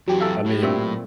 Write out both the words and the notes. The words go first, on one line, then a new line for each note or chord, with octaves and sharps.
I mean,
F#2 E3 F#3 G4
A4 E5 F5
A2
A#2 C4 E5